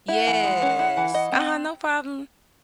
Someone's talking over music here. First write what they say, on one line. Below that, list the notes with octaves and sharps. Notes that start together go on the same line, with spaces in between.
Yes, uh-huh, no problem.
E4 F#5
E3
G#3
C#4
E4
E3
D#5
C4